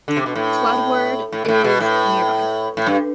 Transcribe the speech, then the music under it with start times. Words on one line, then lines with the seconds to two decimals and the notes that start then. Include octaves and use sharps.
Floodwood is nearby.
0.08 D3
0.17 C3
0.26 B2
0.36 A2
1.32 A2
1.45 B2
1.48 A2
1.64 B2
1.80 A2
2.77 A2
2.87 G2